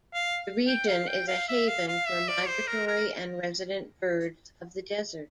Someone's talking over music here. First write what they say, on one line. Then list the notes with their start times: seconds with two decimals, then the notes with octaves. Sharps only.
The region is a haven for migratory and resident birds of the desert.
0.14 F5
0.68 G5
0.88 F5
1.08 G5
1.28 F5
1.48 E5
1.68 F5
1.88 F5
2.07 E5
2.28 D5
2.48 C5
2.67 A#4
2.88 A#4